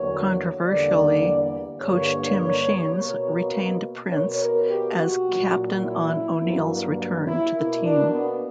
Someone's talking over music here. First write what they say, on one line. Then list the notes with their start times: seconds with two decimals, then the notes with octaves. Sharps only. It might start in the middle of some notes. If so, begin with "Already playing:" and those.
Controversially, coach Tim Sheens retained Prince as captain on O'Neill's return to the team.
Already playing: E2 D3 F#3 A#3 C#5
0.66 E2 D3 G3 A#3 D5
1.81 G2 D3 G3 A#3 C#5
2.95 B2 A#3
4.10 B2 A#3 C#5
4.39 A#4
4.68 G4
4.97 F#4
5.24 A#2 F#3 A#3
5.82 E4
6.39 G2 F#3 A#3
7.25 E4
7.54 B2 A#3 E4
7.83 D4
8.12 B3